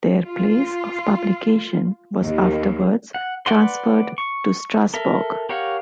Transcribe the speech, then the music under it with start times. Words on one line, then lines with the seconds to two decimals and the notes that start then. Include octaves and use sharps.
Their place of publication was afterwards transferred to Strasbourg.
0.23 F4
2.21 D#2
3.14 F#5
3.46 B4 D5 F#5 C6
4.18 C#6
4.94 A4 A#4 E5
5.49 G4 A#4 C#5 F5 F#5